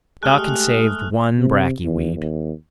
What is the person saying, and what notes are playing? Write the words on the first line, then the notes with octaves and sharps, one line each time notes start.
Doc had saved one bracky weed.
G#3 A3 G4 D#6 F6 F#6
C3
E2
D#2